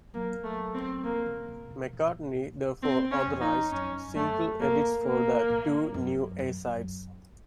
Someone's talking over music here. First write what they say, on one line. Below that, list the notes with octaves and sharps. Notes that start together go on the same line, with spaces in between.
McCartney therefore authorised single edits for the two new A-sides.
F#3 A#3
A3
C4
F3 A#3
C#3
C#3
C3
A#2
A#2 C4
C#4
F2
D#4
F#2 C#4
F#2 A3
A2 A#3
A#3
A2
F#2
F#2